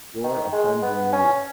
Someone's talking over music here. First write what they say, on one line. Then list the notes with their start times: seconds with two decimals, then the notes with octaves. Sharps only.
You're a friend in need.
0.24 D#3
0.52 G#3
0.82 B3
1.13 C#4